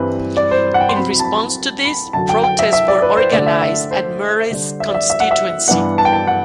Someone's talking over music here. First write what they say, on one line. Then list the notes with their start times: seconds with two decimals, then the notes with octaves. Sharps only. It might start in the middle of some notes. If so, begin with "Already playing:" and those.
In response to this, protests were organised at Murray's constituency.
Already playing: G2 E3 G3 C4 B4
0.37 D5
0.51 C5
0.74 F#5
0.80 G5
0.89 C6
0.96 C3 F#3 C4 B5
1.10 B5
1.19 A5
1.25 B5
1.85 B5
2.13 F#2 D3 F#3 A5
2.29 G5
2.44 G5
2.59 E5
2.73 E5
2.88 D5
3.02 B4
3.17 C5
3.32 D3 A3 D4 D5
3.46 E5
3.62 E5
3.91 C5
4.51 D3 G3 D4
4.80 E5
4.88 D5
4.94 E5
5.10 E5
5.20 F#5
5.31 E5
5.68 G2 E3 B3 D4 F#5
5.98 A5
6.05 G5
6.13 A5
6.27 F#5